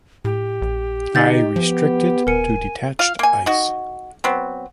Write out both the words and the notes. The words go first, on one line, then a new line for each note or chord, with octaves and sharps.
I restrict it to detached ice.
A2 G4
A#1
D3 D#4 G6 A6
F3 B3
D#1 A#4 G#5 C#7
F4 F5
A#3 G#5
D#4 F#4
F#3 B3 C4